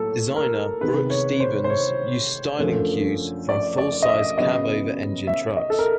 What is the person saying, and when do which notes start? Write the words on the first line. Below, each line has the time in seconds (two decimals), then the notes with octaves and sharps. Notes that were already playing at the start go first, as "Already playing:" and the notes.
Designer Brooks Stevens used styling cues from full-size cab-over-engine trucks.
Already playing: A2 F#3 A#3 A4
0.36 A#4
0.81 C3 D#3 G#3 B3 B4
1.10 C#5
1.40 C5
1.64 C5
1.70 C#5
2.59 F#2 D3 F3 A3
3.49 D5
3.78 D5
4.02 D#5
4.08 E5
4.38 C#3 F#3 B3 D#5
5.27 E5
5.57 D#5
5.70 A4
5.79 A#4